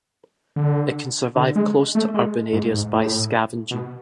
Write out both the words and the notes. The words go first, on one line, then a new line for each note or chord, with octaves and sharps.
It can survive close to urban areas by scavenging.
D3
D3
G#3
A3
G#3
G#2
G#2
A2
B2